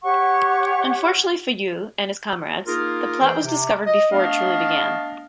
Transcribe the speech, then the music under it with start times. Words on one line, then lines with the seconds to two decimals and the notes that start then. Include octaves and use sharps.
Unfortunately for Yui and his comrades, the plot was discovered before it truly began.
0.03 G4 C#5 F#5 C#6
2.67 A#3 D#4 F4 G#4 A#4
3.21 E3 C5 G5
3.43 C3
3.86 D#5
4.12 A3 B3 D4 D#5 F5